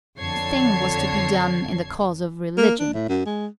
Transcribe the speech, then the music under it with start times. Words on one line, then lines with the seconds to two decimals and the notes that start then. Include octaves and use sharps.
The thing was to be done in the cause of religion.
0.19 F2 D3 C#5 A5 G#6 C7
2.58 A#3
2.79 D4
2.94 A2
3.09 F#2
3.26 G#3